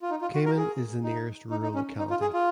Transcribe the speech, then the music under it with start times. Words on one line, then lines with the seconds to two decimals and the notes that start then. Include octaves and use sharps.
Kamen is the nearest rural locality.
0.02 F4
0.10 D#4
0.22 F4
0.34 F#4
0.46 A#4
0.57 G#4
1.04 D#4
1.51 D#4
1.63 D#4
1.75 C#4
1.98 D#4
2.11 F4
2.22 G#4
2.33 F4